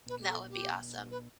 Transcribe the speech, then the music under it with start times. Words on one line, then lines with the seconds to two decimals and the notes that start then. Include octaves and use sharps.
That would be awesome.
0.09 B4
0.22 G4
0.30 A4
0.50 G4
1.11 B4